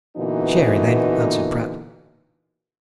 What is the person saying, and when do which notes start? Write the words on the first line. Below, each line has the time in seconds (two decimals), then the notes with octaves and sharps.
"Sherry, then," answered Pratt.
0.17 A#2 D3 E3 B3 D#4 F#4